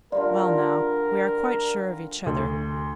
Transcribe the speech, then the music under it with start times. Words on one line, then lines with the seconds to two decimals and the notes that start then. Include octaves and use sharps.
'Well now, we are quite sure of each other.
0.12 D3 G3 F4 A#4 D5
2.26 D2